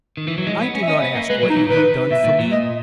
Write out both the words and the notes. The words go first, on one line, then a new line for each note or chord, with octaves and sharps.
I do not ask what you have done for me.
D#3
E3
F#3
G#3 D#5
B3
C#4
E5
C#4 D#5
B3
A#3
G#3 B4
F#3
D#4
E3
D#3 B4
B2 E5
A#2
A#2
D#5